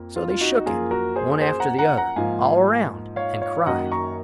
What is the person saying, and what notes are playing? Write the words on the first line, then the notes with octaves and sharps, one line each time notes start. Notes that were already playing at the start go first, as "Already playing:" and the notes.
So they shook it, one after the other, all around, and cried.
Already playing: F2 A#3
F4
F4
D#4 F#4
F#2 F3 A#3 F4 G#4
F#4 A#4
G#4 C5
G#4 C5
F#5 A#5
F#5 A#5
F#5 A#5
G#2 F3 A#3 F5 G#5
C#5 F5
C#5 F5
F#2 D#3 F#3 A#3 D#5 F#5
A#5 C#6